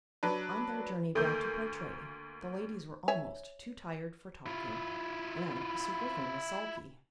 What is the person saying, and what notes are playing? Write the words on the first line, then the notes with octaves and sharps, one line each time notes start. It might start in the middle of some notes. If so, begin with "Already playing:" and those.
On their journey back to Portray, the ladies were almost too tired for talking; and Sir Griffin was sulky.
F#3 D4 B4
D2 A#3 A4 A#4 G6
C#5 E5 G#5
E4 F4